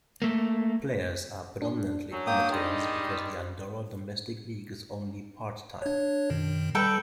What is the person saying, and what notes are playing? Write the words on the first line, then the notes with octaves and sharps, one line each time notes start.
Players are predominantly amateurs because the Andorra domestic league is only part-time.
A3 A#3
D4
F#2 F#3
A#3 G5 D#6
D#3 G3 G#3 D#5
D4 C#5
F#2 B2 D#3
G3 A4 B4 G5